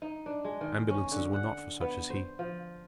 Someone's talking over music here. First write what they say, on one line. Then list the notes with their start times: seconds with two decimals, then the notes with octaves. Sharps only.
Ambulances were not for such as he.
0.02 D#4
0.26 D4
0.44 G#3
0.61 D#3
0.90 C#4
1.12 D3
1.33 F#5
1.81 B3
2.10 C5
2.39 F3